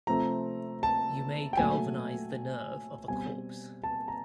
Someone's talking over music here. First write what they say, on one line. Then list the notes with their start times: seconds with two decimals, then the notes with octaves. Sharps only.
You may galvanize the nerve of a corpse.
0.07 C3 F3 A3 C4 A#5
0.83 A5
1.53 G5
1.57 A#2 F#3 A3 G#5
3.08 B2 G3 C4 G#5
3.84 A5
4.08 A#5